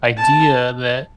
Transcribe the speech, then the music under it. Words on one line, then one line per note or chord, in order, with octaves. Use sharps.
idea that
A5